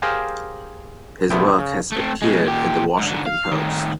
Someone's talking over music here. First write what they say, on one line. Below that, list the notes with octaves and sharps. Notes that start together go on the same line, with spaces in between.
His work has appeared in the Washington Post.
G4 G#4 A#4 C5 F5 G#5
A#1 C3 A3 B3 E4 G5
C#3
A3 C4
B2 G#3
A#2 G4
G#2 D3
F5
A2 D#3